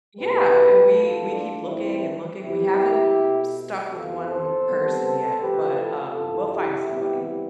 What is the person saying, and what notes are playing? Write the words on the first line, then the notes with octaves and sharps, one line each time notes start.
Yeah, and we we keep looking and looking, we haven't stuck with one person yet, but, um, we'll find somebody.
E2 B2 A3 G4 B4
A2 E3 B3 F4 A4
D4 F4
A2 E3 A3 C4 E4
E2 C3 G3 B3 E4 G4
B2 A3
F2 C3 E3 B3 F4 A4
A4 C5
C3 G3 B3
A4 C5
A2 F3 A3 G4 B4
F4 A4
G2 E3 A3 F4 A4
E4 G4
C3 E3 G3 B3 E4 G4